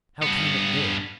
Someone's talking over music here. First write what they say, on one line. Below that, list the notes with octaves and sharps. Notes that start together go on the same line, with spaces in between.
"How came it there?"
G2 B3